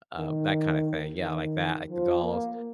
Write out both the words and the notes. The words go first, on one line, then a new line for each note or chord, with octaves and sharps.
uh, that kinda thing. Yeah, like, that, like, the dolls,
D#3
D#3
F3
A#3